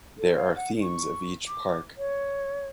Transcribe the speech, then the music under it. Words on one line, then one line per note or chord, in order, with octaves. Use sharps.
There are themes of each park.
A4
F5
F#5
C#6
D6
C#5